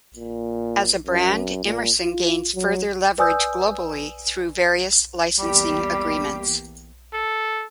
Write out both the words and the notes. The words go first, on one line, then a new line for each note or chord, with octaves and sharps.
As a brand, Emerson gains further leverage globally through various licensing agreements.
A#2
F#2
A#2
F4
F#3
B4 D5 G#5 D#6 E6 G6
E2 G3 A#3 G4
A4